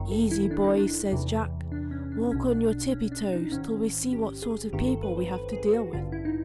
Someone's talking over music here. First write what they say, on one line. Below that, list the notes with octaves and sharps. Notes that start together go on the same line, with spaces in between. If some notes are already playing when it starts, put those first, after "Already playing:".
"Easy, boys!" says Jack: "walk on your tippy toes till we see what sort of people we have to deal with."
Already playing: G1 F#2 D#3
A4
E4
D4
D#4
D4
E2 C3 E3
D4
C#4
D4
B1 B2 C#4
D4
D4
C#4
D4
D#4
A1 G#2 D#3 C#4
G4
G#4
G1 G2 D#3 G4
A4
B4
C5
B4
G#4
F#4
A1 G2 D3 F4
E4
D#4